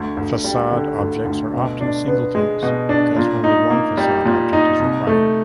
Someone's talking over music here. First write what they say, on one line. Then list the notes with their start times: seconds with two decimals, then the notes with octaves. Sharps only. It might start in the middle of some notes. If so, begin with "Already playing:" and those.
Facade objects are often Singletons because only one Facade object is required.
Already playing: D2
0.17 D2
0.44 G3
0.72 D3
0.98 D2
1.25 D2
1.53 B2
1.81 D4
2.08 B3
2.35 G#3
2.63 B2
2.89 D4
3.16 A#2
3.44 D#4
3.70 A#3
3.97 G3
4.25 A#2
4.53 D#4
4.79 C2
5.07 A3